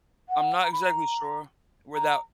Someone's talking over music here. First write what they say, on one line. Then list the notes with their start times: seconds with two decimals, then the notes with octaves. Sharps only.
I'm not exactly sure where that
0.29 F#5
0.62 A#5
0.72 B5
0.82 A#5
1.94 A#5